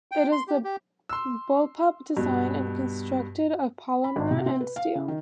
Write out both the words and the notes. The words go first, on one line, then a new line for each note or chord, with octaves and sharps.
It is of bullpup design and constructed of polymer and steel.
G5
C6
G4
G4
C6 E6
G2 B2
B5
G#1
C3
C4
B4
F5
C#3
D#3